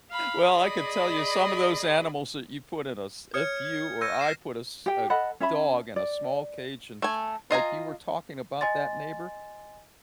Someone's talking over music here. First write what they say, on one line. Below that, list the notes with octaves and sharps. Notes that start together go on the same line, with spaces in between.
Well, I could tell you some of those animals that you put in a s if you or I put a s a dog in a small cage and to like, you were talking about that neighbor,
F5 B5
G#4 D5 D#5 B5
C#5 D#6 F6 G#6 C#7
G#6
E6 G6 G#6 A#6 C#7 D#7
A#6 C7 E7
G4 G5
A4 D#5 F#5 B5
C#4 E5 A5 B5
D5
A3 G#5
F4 D#5 G#5 A#5
D#5 G#5 C6 A6